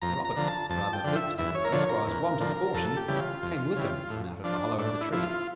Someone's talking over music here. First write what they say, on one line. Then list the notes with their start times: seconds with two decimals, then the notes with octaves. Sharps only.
Robin, rather vexed at his esquire's want of caution, came with him from out of the hollow of the tree.
0.02 F2 A#5
0.25 A#5
0.36 D3 F3
0.48 A5
0.70 F2 A5
0.93 G5
1.04 D3 F3
1.15 E5
1.38 E2 E5
1.55 C#5
1.65 A#4
1.72 D3 F3 C#5
1.89 A#4
2.07 E2
2.40 D3 F3
2.74 F2 A4
2.97 G4
3.08 C#3 E3 G3
3.20 F4
3.43 F2
3.76 C#3 E3 G3
4.10 A2
4.44 F3 D4
4.78 A2 D4
5.01 E4
5.12 F3 E4
5.23 F4